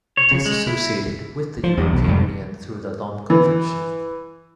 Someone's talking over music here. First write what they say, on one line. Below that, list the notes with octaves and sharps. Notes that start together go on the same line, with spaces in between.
It is associated with the European Union through the Lome Convention.
C#5
C#3
G#3
E4
F3
E2 F#3
B1
F2 G#2 C3 G3
E3